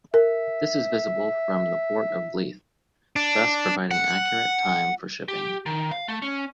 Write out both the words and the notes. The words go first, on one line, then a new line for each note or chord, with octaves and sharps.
This is visible from the port of Leith, thus providing accurate time for shipping.
A#4 E5
D4
F#5
G4
D#3
F5
A3
C#4